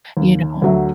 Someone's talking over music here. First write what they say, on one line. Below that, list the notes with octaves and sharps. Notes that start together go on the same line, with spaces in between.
You know?
D#2
D2 F#3 E5